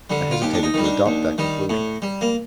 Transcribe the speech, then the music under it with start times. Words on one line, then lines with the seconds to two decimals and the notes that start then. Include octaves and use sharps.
I hesitated to adopt that conclusion.
0.10 D3 G3
0.31 F4
0.42 D#2 G4
0.54 D4
0.63 D#4
0.74 D#3 G3
0.84 D4
1.06 D#2
1.38 D#3 G3
1.70 A2
2.02 G3
2.21 A#3